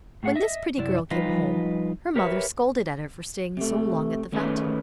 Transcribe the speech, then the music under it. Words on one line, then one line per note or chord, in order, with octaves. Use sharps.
When this pretty girl came home, her mother scolded at her for staying so long at the fountain.
A2 A3 G#4 F#5
D#5 E5
F#2 C3 E4 D5
F3 G3 D#4 F4 B4 D#5
G4 A#4 B4 C#5 E5
C3 A3
D#3 A3 C#4 D#4 G#4 B4